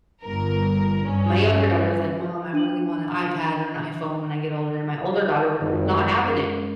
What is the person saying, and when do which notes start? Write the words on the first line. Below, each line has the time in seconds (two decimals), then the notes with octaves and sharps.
My younger daughter is like, "Mom, I really want an iPad or an iPhone when I get older," and my older daughter was just not having it.
0.23 G1 A#4
1.03 G2 C#4
2.53 D4 D#7 F#7
5.61 G#1 F#2
6.27 G#3 C#4 A#4